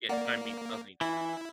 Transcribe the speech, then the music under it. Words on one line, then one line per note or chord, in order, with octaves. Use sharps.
yeah, time means nothing to them.
A#3 D5 F#5
E3 E4